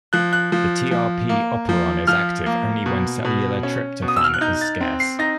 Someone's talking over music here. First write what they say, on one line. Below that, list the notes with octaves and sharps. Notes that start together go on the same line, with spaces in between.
The trp operon is active only when cellular tryptophan is scarce.
F3 F#6
F#6
F3
F3
A#3
F3
F3 F6
A#3
B2
B2
C#4
B2
D#6
E6
F6
F#6
D#4 G6
A6
C4
C7
D#4 A#6